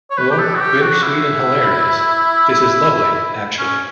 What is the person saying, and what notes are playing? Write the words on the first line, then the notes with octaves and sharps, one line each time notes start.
Warm, bittersweet and hilarious, this is lovely, actually.
C#5
B4
G4
A4
F#4
G4
F#4
E4
C#4